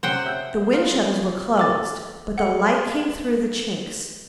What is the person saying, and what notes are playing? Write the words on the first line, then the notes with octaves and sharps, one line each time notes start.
The window-shutters were closed, but the light came through the chinks.
C3 C#4 C5 F#5 G5
E5 E6 G6
F#3 B3 F4
A4 D6 A6
G#4 A4 F#5